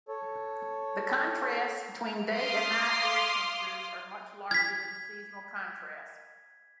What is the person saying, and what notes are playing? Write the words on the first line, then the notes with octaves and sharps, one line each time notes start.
The contrasts between day and night air temperatures are much larger than seasonal contrasts.
A4 C#5
F5 C6 D6 D#6 F6
G#6 B6